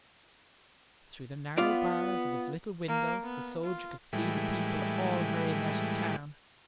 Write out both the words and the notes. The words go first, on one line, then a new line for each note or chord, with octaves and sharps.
Through the narrow bars of his little window the soldier could see the people all hurrying out of town.
B3 F4 D5
A#3
B3
F4
A2 E3 G3 G#3